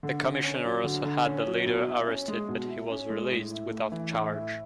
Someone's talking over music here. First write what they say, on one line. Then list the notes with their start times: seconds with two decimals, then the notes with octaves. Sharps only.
The Commissioner also had the leader arrested but he was released without charge.
0.03 D3
0.23 D3
0.44 C#4
0.65 F#3
0.84 D3
1.04 D3
1.25 C#4
1.47 F#3
1.66 B2
1.86 E4
2.07 C#4
2.28 G#3
2.48 B2
2.68 E4
2.90 C#4
3.10 G#3
3.31 A2
3.51 E4
3.71 A3
3.92 E3
4.13 A2
4.32 E4